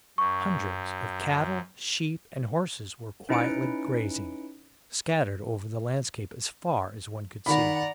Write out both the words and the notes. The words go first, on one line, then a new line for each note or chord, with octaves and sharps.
Hundreds of cattle, sheep, and horses were quietly grazing, scattered over the landscape as far as one could see.
F#2 C#6
C#4 D#4 E4 B4 C#7 D7
D#3 D5 F#5 A#5 B5